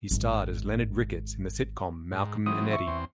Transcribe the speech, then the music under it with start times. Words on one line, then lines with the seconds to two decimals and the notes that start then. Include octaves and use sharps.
He starred as "Leonard Rickets" in the sitcom "Malcolm and Eddie".
0.11 G#1 G#3
2.12 G#2
2.46 E3 F#3 C4 D#6
2.71 E5 C#6
2.87 E2 C4 C6